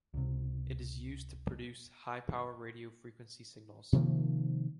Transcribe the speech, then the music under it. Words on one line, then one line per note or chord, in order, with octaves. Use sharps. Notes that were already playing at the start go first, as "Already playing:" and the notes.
It is used to produce high-power radio frequency signals.
C#2 C3
C3 D#3 F3 A#3